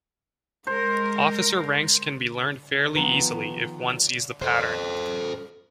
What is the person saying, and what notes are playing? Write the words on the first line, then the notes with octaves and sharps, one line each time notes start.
Officer ranks can be learned fairly easily if one sees the pattern.
G#3 A#4 C5
D#3 F3 B3 B4 A#5
A4 C5